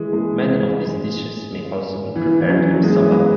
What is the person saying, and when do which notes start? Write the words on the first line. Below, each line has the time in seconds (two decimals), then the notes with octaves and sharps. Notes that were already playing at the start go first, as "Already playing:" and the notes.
Many of these dishes may also be prepared with soba.
Already playing: E3 G#3
0.13 G#3
2.16 E3
2.40 E3
2.49 F#3
2.74 F#3
2.83 G#3
3.05 B3